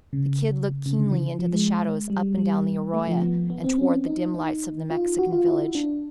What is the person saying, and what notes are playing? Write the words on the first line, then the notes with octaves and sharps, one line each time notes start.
The Kid looked keenly into the shadows up and down the arroyo and toward the dim lights of the Mexican village.
C#3
C#3
D3
E3
F3
G#3
G3
G3
A3
F3
B3
B3
C4
C#4
D#4
D#4
F4
F#4
F4
E4
D4